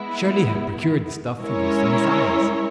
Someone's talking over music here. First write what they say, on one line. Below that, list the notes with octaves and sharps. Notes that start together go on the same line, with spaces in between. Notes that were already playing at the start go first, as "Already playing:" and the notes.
Shirley had procured the stuff for use in his eyes.
Already playing: G#3 B3 E4
G#3 C#4 E4 A#4 C#5